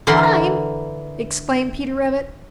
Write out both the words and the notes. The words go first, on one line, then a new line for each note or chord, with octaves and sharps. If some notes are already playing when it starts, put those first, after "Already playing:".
"Climb!" exclaimed Peter Rabbit.
D3 E3 A#4 B5 C6